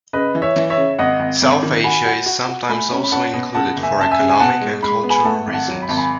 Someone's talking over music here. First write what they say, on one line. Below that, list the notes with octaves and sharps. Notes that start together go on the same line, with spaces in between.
South Asia is sometimes also included for economic and cultural reasons.
C#3 B4 D#5
E3
C#5 E5
E3
C#5 E5
C#3
G#1 D#5 F#5
G#1
G#1
D#3
F#4 G#5 B5
F#4
F#4
F#4
A3 G#5 B5
C#4
B5
C#4 F#5 A5
B2
C#3 F#5 A5
F#1
E5 G#5
F#2 A5
E5 G#5
C#3
G#5
B2 F#5 A5
G#3
G#3 B5
B3
G#5 B5
A3 F#5 A5
G#1
F#5 A5
F#3
B5
G#1 A5
G#5 B5